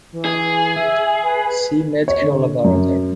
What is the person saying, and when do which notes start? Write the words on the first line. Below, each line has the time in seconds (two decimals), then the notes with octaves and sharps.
See Medical laboratory.
0.12 E3
0.25 G#4
0.76 E5
1.23 B4
2.08 C#5
2.22 D3
2.64 F#2